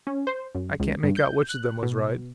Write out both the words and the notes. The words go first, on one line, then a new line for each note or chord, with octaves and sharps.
I can't make out which of them was right.
C#4
C5
F#2
C#2
G2
G6
F#6
B2